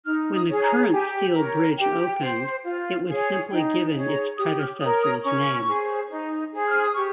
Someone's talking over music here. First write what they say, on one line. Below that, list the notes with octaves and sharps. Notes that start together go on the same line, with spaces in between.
When the current Steel Bridge opened, it was simply given its predecessor's name.
D#4 F6
D#6
G#4 C#5
A#5
A#5
G4 G#5
A#4 C#5
G4 G5
C5
F4
G#4 C#5
D#4 G5
G#4 C#5
A#5
G4 D#6
F6
A#4 C#5 D#6
D#6
C#4 C#6
G#4 C5
D#4
G#4 C5
F6
D#6
G4 C#6